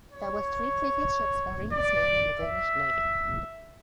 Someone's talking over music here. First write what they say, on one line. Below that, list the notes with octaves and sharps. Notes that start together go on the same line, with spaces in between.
There were three previous ships bearing this name in the Danish navy.
C#5
D5
E5